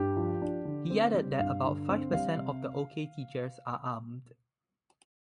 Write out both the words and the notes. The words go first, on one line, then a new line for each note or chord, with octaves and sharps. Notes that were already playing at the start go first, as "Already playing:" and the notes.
He added that about five percent of the Okay teachers are armed.
Already playing: G2 G4
F3
D4
D3
C4
G3
G2 F5
D3
C4
G3 F5
C3